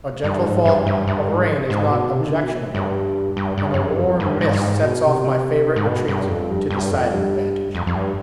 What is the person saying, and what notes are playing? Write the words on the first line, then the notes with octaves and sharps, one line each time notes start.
A gentle fall of rain is not objectionable, and a warm mist sets off my favourite retreats to decided advantage.
G2
G#2
G2
G2
G2
G#2
G#2
B2
C3
D#3
D3
B2
G2
G2
G2
F2
G2
F2
G2
G#2
G2
G#2
B2
C3
G#2
B2
G2
F2
G2
G2
F2
G2
F2
F2
G2